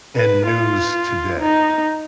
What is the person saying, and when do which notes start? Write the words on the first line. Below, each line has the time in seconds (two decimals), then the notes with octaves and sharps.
in news today?
0.16 B4
0.46 F4
1.40 D#4